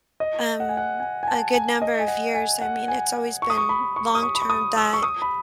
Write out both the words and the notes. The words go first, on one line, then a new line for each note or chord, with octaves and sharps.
um, a good number of years, I mean, it's always been long term that
D#5
F#5
G#5
F#5
G#5
G#5
A5
G#5
D#5
G#5
F#5
G#5
F#5
G#5
C#6
D#6
C#6
B5
C#6
D#6
C#6
B5
C#6
D#6
E6
C#6
D#6
B5